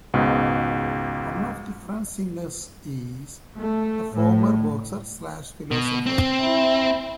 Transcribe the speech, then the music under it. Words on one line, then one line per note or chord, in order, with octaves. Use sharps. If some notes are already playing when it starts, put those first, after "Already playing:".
One of the front singers is a former boxer-slash-philosopher.
C#2 G#2 B2
A3
A2
B2
C4
E4